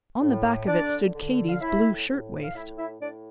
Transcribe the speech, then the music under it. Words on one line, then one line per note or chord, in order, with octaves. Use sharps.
On the back of it stood Katy's blue shirtwaist.
A2
D3 D4 D5
D3
F5
A2 E4 E5
A2
F5
A2 E4 E5
E4 E5
A2 D4 D5